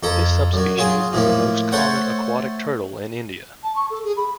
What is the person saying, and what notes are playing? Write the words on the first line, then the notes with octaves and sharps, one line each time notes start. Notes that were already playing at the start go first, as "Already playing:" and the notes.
This subspecies is the most common aquatic turtle in India.
F2 A4 A#5
F#2 F#3
F#3 F4 G#4
A2 F3 A#3
A3 A4 C5 C#5 F#5
A5
C#6
A4
G#4
B5